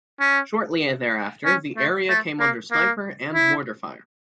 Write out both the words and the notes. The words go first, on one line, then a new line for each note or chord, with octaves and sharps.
Shortly thereafter, the area came under sniper and mortar fire.
C#4
C#4
A3
A3
A#3
A#3
E4